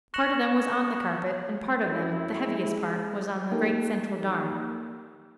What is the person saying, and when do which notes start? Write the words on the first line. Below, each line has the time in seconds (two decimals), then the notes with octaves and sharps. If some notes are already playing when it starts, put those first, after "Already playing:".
Part of them was on the carpet, and part of them--the heaviest part--was on the great central darn.
0.14 C#6 F#6 A#6 C#7 E7 F#7
1.84 F#2 E4
2.37 G#3
3.51 A#3 D#4 G4 A4 A#4